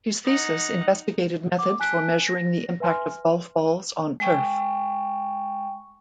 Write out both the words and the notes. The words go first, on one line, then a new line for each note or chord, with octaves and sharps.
His thesis investigated methods for measuring the impact of golf balls on turf.
D#4 F#5
F#5 D6
G#5 A5 F#6 B6 D7
A#6
B4 E5 G#5 C6 F6
G#3 G5 C#6